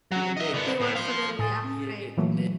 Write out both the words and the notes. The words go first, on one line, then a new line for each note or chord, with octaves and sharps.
He was suddenly afraid.
F#3
D#5 E5
D3 B3
A2
C5 F5
A2 G#5 D#6 A6
A#2 E3 F#3 A3 A#3